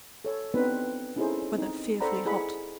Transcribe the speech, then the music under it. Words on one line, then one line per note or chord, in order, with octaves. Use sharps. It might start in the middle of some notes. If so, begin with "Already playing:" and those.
Weather fearfully hot.
A4 C#5
B3 C4 D4 D#4 B4 C5
C#4 D#4 E4 G#4 A4 C5
C4 D#4
A4 C5 D5 F#5 A#5 B5
E4 G#4 D#5 F#5 B5